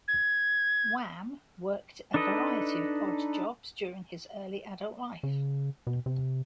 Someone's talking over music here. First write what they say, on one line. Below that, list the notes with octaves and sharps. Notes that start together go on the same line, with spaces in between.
Wham worked a variety of odd jobs during his early adult life.
G#6
D4 D#4 A4 B4 D#5
C#3
B2
C3